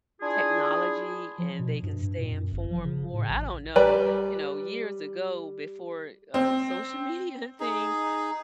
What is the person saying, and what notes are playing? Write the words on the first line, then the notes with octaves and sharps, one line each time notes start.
technology and they can stay informed more. I don't know, you know, years ago before, um, social media things
D4 E4 F4 G#4
F3
B2
G2
G2
A#2
F#2
G1
F3
C#3
A2
A1
G3 B4 D5 A#5
C4
D#4 G#4